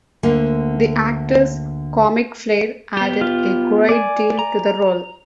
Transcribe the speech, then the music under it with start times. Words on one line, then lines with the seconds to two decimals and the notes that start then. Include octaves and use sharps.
The actor's 'comic flair added a great deal to the role.
0.23 D2 D3 A#3
2.97 B3 G4
3.21 F4
3.89 D5 G#5
4.39 A#5